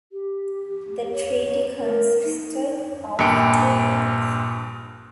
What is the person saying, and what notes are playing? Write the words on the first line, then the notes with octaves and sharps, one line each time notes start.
The treaty consisted of two parts.
G4
C#5
A#4
D#4
A#1 G2 A#2 G5 C#7 D7